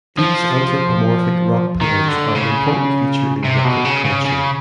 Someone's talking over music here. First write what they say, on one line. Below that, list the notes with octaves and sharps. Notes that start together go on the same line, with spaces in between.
These anthropomorphic rock pillars are an important feature in Yakut culture.
F3
D#3
D3
C#3
C3
B2
C#3
C#3
C#3